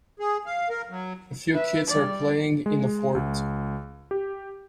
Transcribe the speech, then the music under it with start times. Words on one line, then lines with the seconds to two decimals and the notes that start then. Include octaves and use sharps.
A few kids are playing in a fort.
0.19 G#4
0.46 F5
0.70 A#4
0.90 F#3
1.53 B4 E5
1.88 G3 D5
2.66 G#3
3.15 C#2
4.11 G4